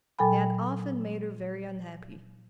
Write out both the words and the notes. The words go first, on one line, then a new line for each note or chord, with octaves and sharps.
They had often made her very unhappy.
A#2 F#3 A4 G5 G#5 B5